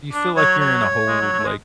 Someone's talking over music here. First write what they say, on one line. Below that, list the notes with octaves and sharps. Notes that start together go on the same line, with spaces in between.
You feel like you're in a whole, like,
D4
F#3 C#5
C#5
G#3
F#3
F#3
A3
G#3